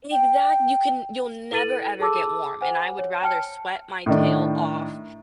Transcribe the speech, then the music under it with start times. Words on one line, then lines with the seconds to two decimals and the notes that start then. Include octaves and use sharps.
Exact you can you'll never ever get warm. And I would rather sweat my tail off
0.12 G5
1.51 E4 A4 B4 A6 D#7 F#7
2.00 G#4 A4 A5 D6 E6
2.61 C5 F#5 G#5
2.99 C#5
3.22 G5 A5 F6 C#7
4.06 A2 D#3 D4